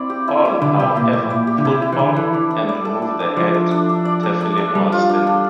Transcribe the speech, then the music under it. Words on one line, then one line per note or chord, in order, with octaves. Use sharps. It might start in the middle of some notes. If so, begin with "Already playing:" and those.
All, however, put on and remove the head tefillin while standing.
Already playing: C4 E4 D5
G4
E4
E4
D3 D5
C3 G4
A#2 E4
A2 E4
A#2 D5
G4
D3
C3 E4
E4
E3
D3 D5
E3 A4
E3 D4
D4
D5
A4
D4
D4
F3 D5
A4
D4
D4
D5
A4
D4
D4
G3 A4
F4
D4
D4